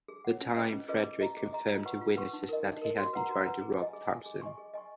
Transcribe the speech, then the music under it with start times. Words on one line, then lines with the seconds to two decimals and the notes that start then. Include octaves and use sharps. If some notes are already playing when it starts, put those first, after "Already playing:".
The dying Frederick confirmed to witnesses that he had been trying to rob Thompson.
0.08 G#4
0.25 C#5 F#5
0.41 C#4
0.56 F4 G#4 B4 D#5
0.73 C#4
0.88 F4 G#4 B4 D#5
1.04 G#4
1.20 D#5 A#5
1.37 G#4
1.53 D#5 A#5
1.68 F4
1.85 B4 F#5 C#6
2.01 F4
2.17 B4 F#5 C#6
2.33 D#4
2.49 A#4 D#5
2.65 D#4
2.82 A#4 D#5
2.98 F#4
3.13 B4 F#5 A#5
3.29 F#4
3.45 B4 F#5 A#5
3.61 G#4
3.77 D#5 G#5
3.93 G#4
4.09 D#5 G#5
4.26 G#4
4.42 D#5 G#5 C#6
4.58 G#4
4.74 D#5 G#5 C#6